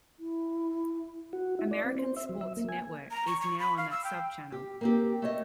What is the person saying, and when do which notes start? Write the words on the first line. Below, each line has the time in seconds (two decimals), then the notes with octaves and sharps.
American Sports Network is now on that subchannel.
0.19 E4
1.33 F#4
1.59 E4
1.71 D5
1.85 C4
1.99 C5
2.17 E5
2.29 F#3
2.41 E5
2.57 A#3
2.69 G#5
3.11 A#5
3.27 C#6
3.41 C#6
3.59 B5
3.78 F5
3.91 E6
4.04 G5
4.52 G4
4.81 A#3 C4 G4
5.22 A3 C#5 D#5